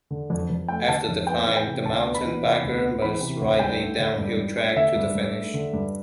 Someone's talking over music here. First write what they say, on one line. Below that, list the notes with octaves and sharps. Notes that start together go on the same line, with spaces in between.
After the climb, the mountain biker must ride a downhill track to the finish.
D3
F2
F2
A3 G5
D3 A5
F2
B3 G5
E3
G5
C3
D2 A5
B3
B5
E3
C3
D2
B3
E3 B5
C3
D2
G2 G5
A3
D3
G2
G2
A3
D3 E5
G2
G2
A3
D3
G2